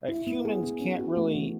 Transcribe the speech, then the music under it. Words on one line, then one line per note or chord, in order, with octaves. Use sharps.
uh, humans can't really
E4
B3
G#4
B3
C#4
F#4
A3
E3